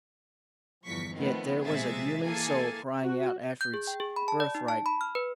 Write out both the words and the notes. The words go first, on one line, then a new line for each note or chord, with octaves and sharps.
Yet there was a human soul crying out after its birthright.
G1 E2 F3 C#6 B6
D#3 F3 A3 B3 C4
A#1 C3 G#3 G#4 E5 A6
E3 A#3 G#4 A4 G#5 A5
F#4
G6
G#4
G5
G#4
B5
A5
D5
D#4
A5
B5
F6
B4